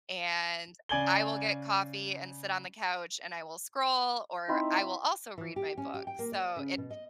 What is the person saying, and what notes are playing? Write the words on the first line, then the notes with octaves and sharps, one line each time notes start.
and I will get coffee and sit on the couch and I will scroll, or I will also read my books. So, it
C#3 D5 G#5 G#6 F#7 G7
C4 D#4 E4 E5
E3
G4
C#4
G4
G5
A#3
D5
C#3
B2
D#5